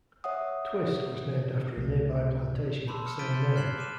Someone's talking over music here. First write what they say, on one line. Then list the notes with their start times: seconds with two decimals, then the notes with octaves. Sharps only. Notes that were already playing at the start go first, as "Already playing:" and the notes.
Twist was named after a nearby plantation of the same name.
0.24 C#5 E5 F#5 D#6
1.77 C#2 A3
2.88 A5 B5 C6 D6 E6
3.05 D6 D#6 F6 C#7 E7
3.19 G6 A6 B6 D7 D#7 G7
3.34 C6 G6
3.56 F6 F#6 G#6 C7 E7 F#7
3.78 D6 F6 D#7 E7 F#7